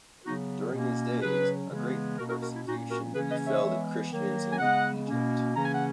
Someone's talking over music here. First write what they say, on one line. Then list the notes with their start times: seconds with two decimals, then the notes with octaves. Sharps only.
During his days, a great persecution befell the Christians in Egypt.
0.25 C#3 F#3 B3 D#4 F#4
0.73 B2 A#3 C#4
1.21 C#3 F#3 C#4 G#4 B4
1.70 C#3 E3 G#3 B3
2.18 B2 A#3 C#4 F#4 A#4
2.30 F#4 A#4
2.42 F#4 A#4
2.54 E4
2.66 A#2 A#3 C#4 D#4 F#4
2.90 F#4 A#4
3.14 C#3 E3 A#3 C#4 G#4 B4
3.30 B4 D#5
3.46 C#5 E5
3.62 E3 G#3 B3
4.11 D#3 F#3 A#3
4.53 G#5
4.58 C#3 G#3 B3 D#5 F#5
5.07 B2 A#3 C#4
5.55 C#3 E3 A#3 C#4 A#5
5.65 G#5
5.74 F#5